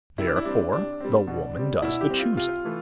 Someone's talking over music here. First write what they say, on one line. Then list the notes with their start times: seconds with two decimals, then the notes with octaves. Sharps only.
Therefore the woman does the choosing.
0.18 C3 E4
0.27 D4
0.36 E4
0.45 G3 C4 D4
0.73 C3 D4
1.00 G3 C4
1.27 B2
1.55 G3 C4
1.82 B2 E4
2.01 G4
2.10 G3 C4
2.19 F4
2.37 C3 F4
2.65 E3 A3